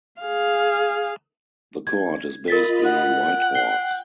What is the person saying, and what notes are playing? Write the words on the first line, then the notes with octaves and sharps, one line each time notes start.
The court is based in Whitehorse.
G#4 F5
G#6
F4 A#4 D#5 B5 A6 B6
F#5
G5
C7 G7